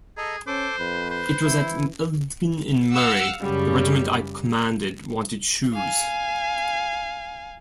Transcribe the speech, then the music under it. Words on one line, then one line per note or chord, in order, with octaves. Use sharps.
It was at Elgin in Murray, the Regiment I commanded wanted shoes.
G#4 A4 D#5 A#5
C#4 A4 C5 D6
F2 B4
C5
E3 E4
F5 F#5 E6
F#2 C#3 G3
F5 G#5